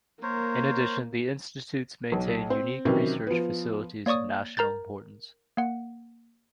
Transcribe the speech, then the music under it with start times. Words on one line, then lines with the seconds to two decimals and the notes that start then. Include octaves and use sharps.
In addition, the institutes maintain unique research facilities of national importance.
0.23 A#3 A#4 C5 C#5
2.12 B1
2.50 C4
2.85 C3 D#3 E3 F#3 C#4
3.27 F3 B3
4.06 A#3 C#5 D5 C#6 D#6
4.57 A#4 A#5 G6 A6
5.57 A#3 F#5